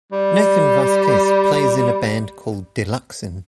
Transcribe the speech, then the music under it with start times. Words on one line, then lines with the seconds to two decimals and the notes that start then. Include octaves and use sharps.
Nathan Vasquez plays in a band called Deluxin.
0.12 G3